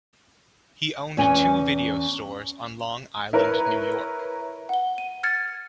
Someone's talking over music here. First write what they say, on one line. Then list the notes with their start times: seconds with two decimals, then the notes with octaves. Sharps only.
He owned two video stores on Long Island, New York.
1.17 E2 C#4 G#5
3.33 E4 A#4 B4 C#5
4.69 F#5 G7
4.98 D#7
5.23 F6 G#6 A6 C#7